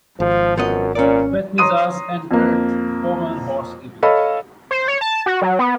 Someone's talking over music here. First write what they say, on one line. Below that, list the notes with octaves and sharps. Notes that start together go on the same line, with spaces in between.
Petmezas entered the pommel horse event.
G#1 F3
F#2 F3 B3 D#5
A#2 C#4 D5
C#5 A#5 C6 D#6 D#7
F2 A#3
A4 C#5 D#5 F5 B5
C5
C#5
A5
F#4
F#3
B3